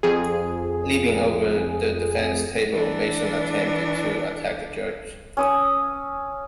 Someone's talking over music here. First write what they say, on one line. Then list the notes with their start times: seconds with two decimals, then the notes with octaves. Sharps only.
Leaping over the defense table, Manson attempted to attack the judge.
0.03 F2 G#4
2.72 E3 D4
5.37 C#4 D#6 E6